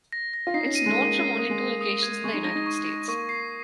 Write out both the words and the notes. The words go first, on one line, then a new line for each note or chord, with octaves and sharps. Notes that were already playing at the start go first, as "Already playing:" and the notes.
It is known from only two locations in the United States.
A#6
A#6
F4
D#4 C7
C#4
D#7
G#3
A#3 D#7
C#4 C7
A#3 D#6
G#3
A#3 D#6
D#6
G#6
G#3 C#6
D#4
D#4 A#6
D#4
C#6
A#6
A#3 C#6
C7